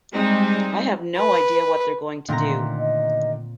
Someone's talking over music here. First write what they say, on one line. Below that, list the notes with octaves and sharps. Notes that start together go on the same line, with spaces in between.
I have no idea what they're going to do.
G3 G#3 C4 D#4
B4
A#2 D3 D#3 A3 C4 A#5
D#5